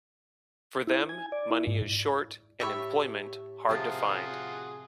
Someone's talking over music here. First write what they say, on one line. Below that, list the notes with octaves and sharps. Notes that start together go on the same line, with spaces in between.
For them, money is short and employment hard to find.
E4
G#5
D5
E4
G#2
A2 G4 C#5 E5 B5
C3 F3 F4 F#4 G#4